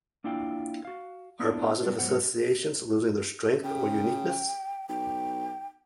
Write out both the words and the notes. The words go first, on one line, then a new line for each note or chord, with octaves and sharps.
Are positive associations losing their strength or uniqueness?
A#3 D4 E4 F4 F5 G5
F#4 F5
A#3 B3 D4 E4 F4 A4
F#3 G3 B3 D4
G#2 F#3 B3 A4 C5 F#5
C#3 G5
B1 G5